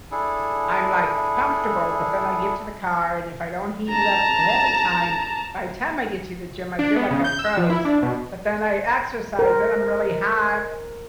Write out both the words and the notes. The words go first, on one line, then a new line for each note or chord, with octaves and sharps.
I'm, like, comfortable, but then I get to the car, and if I don't heat it up ahead of time, by the time I get to the gym, I feel like I'm froze. But then I exercise, then I'm really hot,
D4 E4 G#4 A4
A5 A#5
D4
B3
C#3
G6
E6
F3
E4
D4
B2
A#4 C5